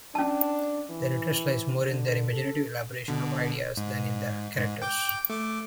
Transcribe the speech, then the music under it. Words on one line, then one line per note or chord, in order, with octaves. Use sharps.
Their interest lies more in their imaginative elaboration of ideas than in their characters.
C#4 D4 A5
E3
D3
A4
B2 D3
G#2
G#2
G5 D6 G6
A3 D6